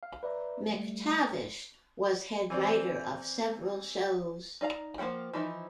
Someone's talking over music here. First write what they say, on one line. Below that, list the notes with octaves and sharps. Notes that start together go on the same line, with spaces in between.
McTavish was head writer of several shows.
F5
B4 D5 E5 A#5
G3 A3
E3 C4 D5
D#4 D5 F5 A#5
F3 A#3 E4 F#5 G5
E3 F3 D#4 E4